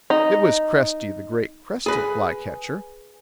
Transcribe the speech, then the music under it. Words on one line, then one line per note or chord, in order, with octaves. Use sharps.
It was Cresty the Great Crested Flycatcher.
D#4
G#4 B4